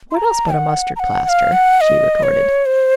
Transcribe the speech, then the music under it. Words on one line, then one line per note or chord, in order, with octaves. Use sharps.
"What else but a mustard-plaster!" she retorted.
C6
A#5
F#5
A#5
F#5
F#5
F5
F#5
D#5
C#5
C5